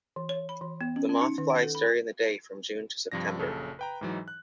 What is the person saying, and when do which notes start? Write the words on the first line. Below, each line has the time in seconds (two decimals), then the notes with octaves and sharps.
The moth flies during the day from June to September.
0.16 E3
0.29 C#5
0.49 B5
0.61 E3
0.81 B3
0.96 C#4
1.09 C#4
1.22 D#4
1.38 D#3
1.50 F#5
1.63 A4
1.75 B5
3.12 G2 C3 F3 D4 A#6
3.39 A#1 F#2 C#3 A4
3.79 B4 G5 A#5
4.01 G#2 E3 F#3 D#4
4.28 F#6